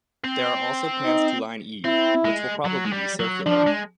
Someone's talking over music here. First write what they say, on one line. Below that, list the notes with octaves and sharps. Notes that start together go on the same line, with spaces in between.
There are also plans to line E, which will probably be circular.
C4
D#4
C4 E4
G#3
F#3
G#3
G3
F#3
F3 D4
G#3